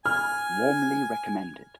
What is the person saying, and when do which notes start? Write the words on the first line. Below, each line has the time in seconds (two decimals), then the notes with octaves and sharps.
Warmly recommended.
0.06 G#5 F6